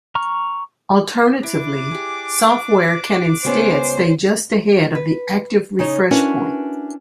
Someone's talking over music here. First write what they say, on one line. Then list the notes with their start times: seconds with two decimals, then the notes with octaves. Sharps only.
Alternatively, software can instead stay just ahead of the active refresh point.
0.15 A#5 C#6 F6
1.43 D4 E4 D6
1.91 G4 G#4
3.45 C#2 G3 B3 C#4 C5
4.95 B4
5.79 C#3 D#4 C#5
6.11 C#4 D4 E4 F#4 A#4 B4